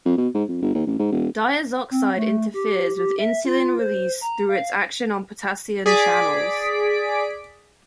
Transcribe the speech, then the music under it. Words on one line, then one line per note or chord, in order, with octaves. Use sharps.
Diazoxide interferes with insulin release through its action on potassium channels.
F2
B2
G#2
F2
G1
D#2
A1
G#2
E1
C4
A3
G4
G4
E5
F4
C5
A#5
F5
G#4 D5 B6 D7